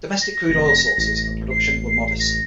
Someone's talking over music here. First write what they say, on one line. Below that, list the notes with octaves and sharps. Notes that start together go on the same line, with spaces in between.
Domestic crude oil sources and production were modest.
A#6
F1
A1
C7
A#6